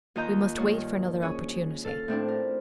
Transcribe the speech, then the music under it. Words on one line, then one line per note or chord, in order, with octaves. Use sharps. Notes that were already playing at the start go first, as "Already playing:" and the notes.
We must wait for another opportunity.
D#2 F4 D#5 A#5 G6
G2 A#3 C#5
C#4 G#4 C#5
A4 F5
A2 C4 D4 E4
A#4